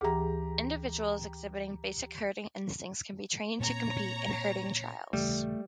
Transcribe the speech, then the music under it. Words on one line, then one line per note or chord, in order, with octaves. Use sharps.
Individuals exhibiting basic herding instincts can be trained to compete in herding trials.
D2 E3 G4 G#4 A#5
A#2 A#3 C4 C#5 A#5
D#1 C#3 E3 G3 A3